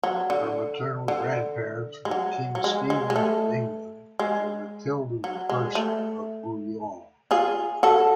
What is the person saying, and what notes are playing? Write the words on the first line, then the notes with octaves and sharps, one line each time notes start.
Her maternal grandparents were King Stephen of England and Matilda I of Boulogne.
F#3
D3
D3
G#3
F#3
F#3
G#3
G#3
G#3
A3
G#3
F#3
G#3
A3
F4 G#4
F#4 A4